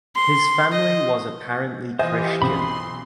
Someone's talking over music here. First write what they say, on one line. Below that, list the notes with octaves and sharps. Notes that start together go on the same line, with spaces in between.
His family was apparently Christian.
C6
D#5
E3 F4 G4 C5 D#5 G#5 D#6
B1 C4 C#4 B5 C6 D#6